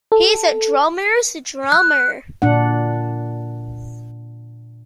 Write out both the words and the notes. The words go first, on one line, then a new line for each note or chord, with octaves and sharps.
He's a drummer's drummer.
A4
F#6
A#2 D4 F#5